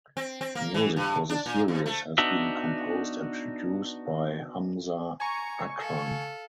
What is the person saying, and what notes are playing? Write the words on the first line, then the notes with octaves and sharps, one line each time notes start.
Music for the series has been composed and produced by Hamza Akram.
C4
C4
A#3
E3
G2
D4
A#2
E2
A3
B3 D4 D#4 F#4 E5
G#5 A#5 C#6
A4 F5